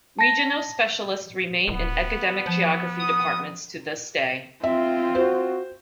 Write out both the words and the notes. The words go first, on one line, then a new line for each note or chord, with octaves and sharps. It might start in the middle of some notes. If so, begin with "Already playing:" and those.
Regional specialists remain in academic geography departments to this day.
A5 A#6
D1 B3
F3
D#6
C4 F4 E5
F#4 C5